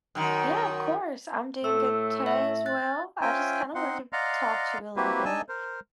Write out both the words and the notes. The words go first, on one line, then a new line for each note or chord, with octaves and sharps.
Yeah, of course, I'm doing good today as well, I just kinda wanted to talk to you a little bit
F#2 D#3
A2 A3 E6
E5
F#6 A6
C#4 F4 C5 E5 G5 G#5
C4 D#4 F#5 C6
D5 D#5 F5 F#5 A#5 C6
A#3 C4 E4 F#4 G4 B4
D4 D#4 G#5 A5 E6
A#4 C5